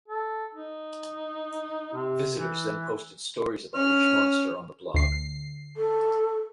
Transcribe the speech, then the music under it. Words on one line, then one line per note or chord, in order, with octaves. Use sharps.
Visitors then posted stories about each monster on the blog.
A4
D#4
C3
E3
C#4 F6
D2 C7
A4